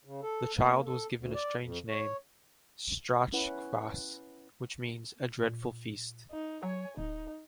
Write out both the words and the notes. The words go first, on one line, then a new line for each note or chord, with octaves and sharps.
The child was given a strange name: Strachkvas, which means "a dreadful feast".
C#3
A4
A#3
A#3
A4
D2
D5
F2
C#5
C#4 E4 B4 F#5
A#2
D#4
F#3 C#5 G#5
D1 D#4